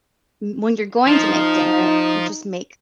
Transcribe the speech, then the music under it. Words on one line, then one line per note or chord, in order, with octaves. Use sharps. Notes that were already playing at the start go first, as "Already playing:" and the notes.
m when you're going to make dinner, just make,
F3 D#4